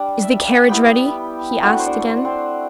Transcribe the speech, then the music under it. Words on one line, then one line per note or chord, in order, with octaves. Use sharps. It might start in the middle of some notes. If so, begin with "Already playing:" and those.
"Is the carriage ready?" he asked again.
Already playing: G3 D4 D5 D6
E5 E6
G3 B3 E4 G4 G5
A3 D4 F#4 F#5
C5
D4 D5
C5
D5
C4 C5